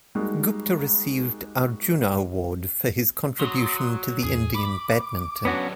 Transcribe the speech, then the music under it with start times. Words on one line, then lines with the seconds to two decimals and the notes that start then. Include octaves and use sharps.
Gupta received Arjuna Award for his contribution to the Indian badminton.
0.15 G3 G#3 A#3 D#4 F#4
3.39 F#3 C6 D#6
4.24 E2 A2 G#4
4.55 B5 D6
5.45 F#3 B3 C#4 D4 F#4